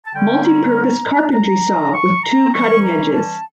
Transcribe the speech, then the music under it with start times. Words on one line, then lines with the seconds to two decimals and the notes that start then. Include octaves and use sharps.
Multi-purpose carpentry saw with two cutting edges.
0.05 A5
0.14 D3 G3 C#4 G5
0.44 A#5
1.33 A#5
1.94 C#6
2.23 A#5
2.53 E3 G3 C#4 C#6
2.84 A#5
3.13 A5